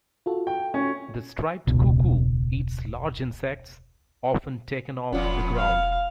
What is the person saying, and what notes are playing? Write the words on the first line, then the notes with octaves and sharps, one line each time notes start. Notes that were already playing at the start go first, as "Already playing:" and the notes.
The striped cuckoo eats large insects, often taken off the ground.
F4 F#4 A4
G5
C#4
E1 C#2 B2
E1 F2 B3 C#4 F4 D5
F5